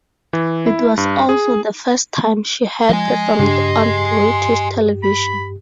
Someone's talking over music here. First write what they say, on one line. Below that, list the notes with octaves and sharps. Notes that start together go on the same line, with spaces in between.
It was also the first time she had performed on British television.
E3
E4
G2
G#4
F3 G#3 D#5 G#5
G2 C#3 D4 G4 C6
B5